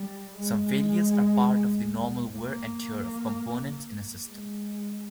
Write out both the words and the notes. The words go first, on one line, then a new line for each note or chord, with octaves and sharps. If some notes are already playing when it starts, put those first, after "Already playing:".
Some failures are part of the normal wear-and-tear of components in a system.
Already playing: G3
G#3
A#3
G#3